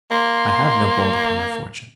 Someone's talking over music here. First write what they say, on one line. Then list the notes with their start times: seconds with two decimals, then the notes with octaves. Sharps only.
"I have no hold upon her fortune."
0.11 A#3 C6